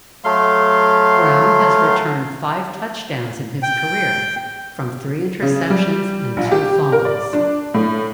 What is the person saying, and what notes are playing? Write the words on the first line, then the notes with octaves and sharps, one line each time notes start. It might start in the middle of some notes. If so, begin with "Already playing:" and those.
Brown has returned five touchdowns in his career, from three interceptions and two fumbles.
F#3 A3 F5 C6
G5
C#3
G3
A#1
G4
A#4
D5
D4
A2